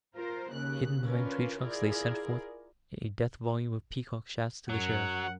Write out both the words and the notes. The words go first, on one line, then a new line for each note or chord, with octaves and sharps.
Hidden behind tree-trunks they sent forth a death volume of peacock-shafts to the Sheriff.
F4 A#4 C5
D#2 C#3 F#6
C#4 D4 F4 A#4 B4
E4 F4 G#4 A#4 D5
F#2 F#3 F#5